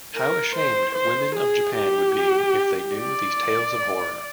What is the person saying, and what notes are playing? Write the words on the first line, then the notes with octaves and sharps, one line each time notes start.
How ashamed women of Japan would be if they knew these tales of horror.
A#4
C5
C5
G#4
G4
D5